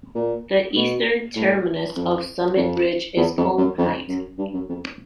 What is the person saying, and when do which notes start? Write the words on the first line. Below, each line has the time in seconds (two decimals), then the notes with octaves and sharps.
The eastern terminus of the summit ridge is Coomb Height.
0.15 A#2
0.75 B2
1.35 A2
1.96 F2
2.57 F2
3.17 E2
3.37 F2
3.58 F#2
3.78 F2
4.08 F#2
4.38 G2
4.53 F#2
4.69 F2